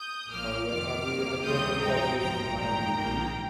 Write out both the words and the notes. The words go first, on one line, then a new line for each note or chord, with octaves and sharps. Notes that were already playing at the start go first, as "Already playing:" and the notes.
Oh, yeah. Have you Have you ever tried using IMDb?
Already playing: D#6 G6
A#1 A#2 F3 A#3 D6 F6
F2 C3 D#3 G3 D6 F6
F2 D#3 A#3
D2 C3 D#3 G3 C4 D#6 G6
G#2 F3 C4 D#4 G5 A#5
G#1 G2 F3 G5 A#5
G1 F2 D#3 G#3 G5 A#5
A#1 G#2 D#3 A#3